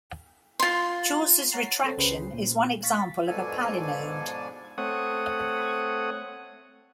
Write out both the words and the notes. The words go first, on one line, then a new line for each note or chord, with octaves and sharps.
Chaucer's Retraction is one example of a palinode.
F4 C6
C#5 F#5 A#5 A6 C7
C4 A4 C#5
C#2 C#4 G#4 B4 C5 C7
A#2
F5 C#6 A6 B6
G#2 B2 F3 D4 A4 G#5
A3 C4 C#5 F#5 D#6